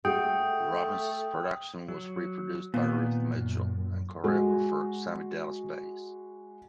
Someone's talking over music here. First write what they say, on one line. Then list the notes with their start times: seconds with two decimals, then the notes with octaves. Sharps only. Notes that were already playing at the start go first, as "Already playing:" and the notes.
Robbins' production was reproduced by Ruth Mitchell and choreographer Sammy Dallas Bayes.
0.05 A3 F#4 G#4 G5 D#6
1.88 F#3
2.74 A#2 D#3 B3
3.35 F#2
4.24 G#3 F#4